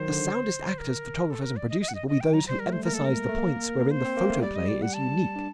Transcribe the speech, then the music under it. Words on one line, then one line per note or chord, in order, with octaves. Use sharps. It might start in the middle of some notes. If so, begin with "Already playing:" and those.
The soundest actors, photographers, and producers will be those who emphasize the points wherein the photoplay is unique.
Already playing: D#3 F#3 C5
D3
A#4
A4
A#4
D5
D#5
D#5
F#5
D#5
D#5
G5
D#3
F#3 A#5
G3 C5
A#4
A3
C5
A#3 A#4
A4
A#4
A3
A#3
C5
C4
A#3
A3
G3 D5
D#5
D5
F#5
A5
D4